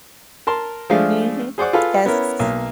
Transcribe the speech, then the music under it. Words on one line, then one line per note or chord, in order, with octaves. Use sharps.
Mhm. Yes.
A#4 A5 C6
F3 G#3 A3 D4 G#4 F5
G#4 C5 D5 F#5 D6
F4 G#4 A4 B4 F5
B3 C#4 E4 A#4
B1 A#3